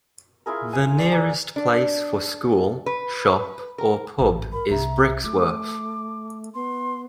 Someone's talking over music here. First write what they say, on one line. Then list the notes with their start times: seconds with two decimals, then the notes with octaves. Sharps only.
The nearest place for school, shop or pub is Brixworth.
0.46 E4 F4 G#4 A#4
0.73 G#5
0.98 D5
1.11 A#3 G#5
1.56 D4
2.86 B4
3.78 A#4
4.19 A1 G#2
4.52 A#4 B5
4.71 C2 E5 A#5
5.24 A3 F4 D6
6.55 B3 C6